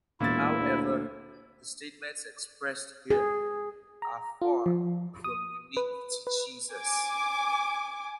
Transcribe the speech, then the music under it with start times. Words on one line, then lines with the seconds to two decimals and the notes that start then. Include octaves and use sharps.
However, the statements expressed here are far from unique to Jesus.
0.20 E1 A#2 E4 A6
0.61 D2
3.10 G#4
4.02 A#5
4.42 F4
4.66 F3
5.24 D#6
5.77 B4
6.27 B4
6.72 G#5 D6